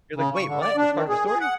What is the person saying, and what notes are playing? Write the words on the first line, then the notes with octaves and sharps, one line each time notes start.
You're like, "Wait, what? It's part of a story?
C#3
C#6
D3
D5
D4
D#3
G#4
G#4
F#5